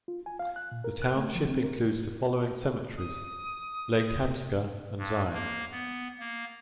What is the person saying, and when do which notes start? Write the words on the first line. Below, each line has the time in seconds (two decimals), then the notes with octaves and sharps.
The township includes the following cemeteries: Lake Hanska and Zion.
0.08 F4
0.26 G#5
0.39 F5
0.56 F#6
0.72 A#2
0.84 A#4
1.02 F#6
1.16 A3
1.35 F3
1.47 C4
1.63 A#4
2.97 D#6
4.16 C3
4.98 G2
5.33 A#3
5.71 B3
6.19 A#3